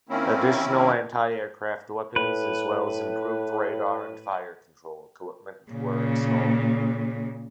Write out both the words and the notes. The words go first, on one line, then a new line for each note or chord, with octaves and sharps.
Additional anti-aircraft weapons as well as improved radar and fire control equipment were installed.
D#3 A#3 C4 C#4 E4
A2 B4
A#2 C#3